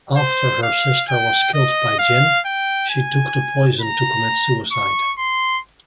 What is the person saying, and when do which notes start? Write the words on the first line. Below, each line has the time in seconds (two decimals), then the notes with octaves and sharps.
After her sister was killed by Gin, she took the poison to commit suicide.
0.17 C5
0.63 F5
1.09 G5
1.54 D#5
1.99 F5
2.46 G5
2.90 G#5
3.82 A#5
4.72 C#6
5.18 C6